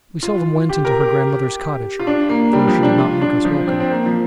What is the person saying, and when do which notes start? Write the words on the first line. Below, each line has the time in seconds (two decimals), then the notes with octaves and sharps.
We seldom went into her grandmother's cottage, for she did not make us welcome.
0.23 F4
0.69 G4
0.85 A#4
1.00 G4
1.99 F4
2.07 D4
2.29 A#3
2.53 G3
2.68 F3
2.83 D4
2.98 F4
3.21 D4
3.45 F3
3.67 C4
3.80 C4
3.91 A#3
4.06 F3